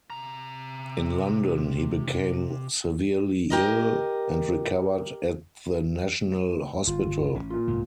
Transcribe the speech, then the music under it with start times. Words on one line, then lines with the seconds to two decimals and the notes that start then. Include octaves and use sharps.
In London, he became severely ill, and recovered at the National Hospital.
0.10 C3 A#5
3.50 G4 A#4 D#5
6.87 G1 F4
7.35 A1 C#4
7.50 A#2 F4
7.67 C2 G#2 B2